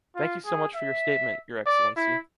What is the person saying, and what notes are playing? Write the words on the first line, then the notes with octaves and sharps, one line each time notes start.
Thank you so much for your statement, Your Excellency.
F4
G#4
E5
D5
E4